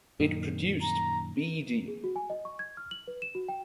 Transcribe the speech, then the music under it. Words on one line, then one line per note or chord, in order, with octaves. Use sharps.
It produced beedi.
F#2 A#2 D#3
A#5
G#4
F#4
G#5
D#5
C#6
G#6
F6
F#7
B4
E7
F#4
G5